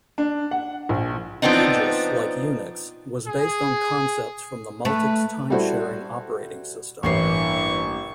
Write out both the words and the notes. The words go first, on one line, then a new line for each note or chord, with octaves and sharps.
Aegis, like Unix, was based on concepts from the Multics time sharing operating system.
D4
F#5
A#1
F3 B3 C4 D4 D#4
G#4
A3 B4
G3 E4 F#4 A4 C5
A1 G2 E3 A#3 C#5 C#6 C7